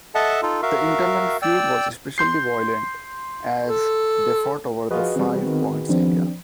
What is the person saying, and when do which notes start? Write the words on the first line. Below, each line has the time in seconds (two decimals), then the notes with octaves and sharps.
The internal feud was especially violent as they fought over the Five Points area.
0.15 A4 D#5 E5 F#5 A5
0.43 D#4 F4 A4
0.62 F#4 A#4 E5 F5
1.42 D5 G5 E6
2.18 C6 G6 C7
3.66 A4
4.91 F3 F4 F#4 G#4 B4 D#5
5.16 E3 G3 C4
5.46 D#3 B3
5.89 F3 C4 D4